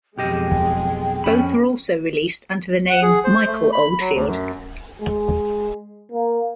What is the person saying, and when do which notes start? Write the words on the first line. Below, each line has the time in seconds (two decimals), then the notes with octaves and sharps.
Both were also released under the name Michael Oldfield.
0.18 B1 F2 G#3 G4 D#5 G5
1.24 F2 C#4 B5
2.90 F#5
3.02 G#4
3.24 C5
3.47 A3
3.72 B5
4.00 F#3
4.14 D2
4.27 F#2
5.01 G#3
6.12 A#3